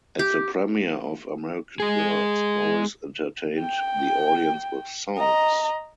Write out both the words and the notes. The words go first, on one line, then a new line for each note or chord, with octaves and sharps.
At the premiere of "American Girls" Morris entertained the audience with songs.
G4
G#3 G#4
G5
D#5 A#5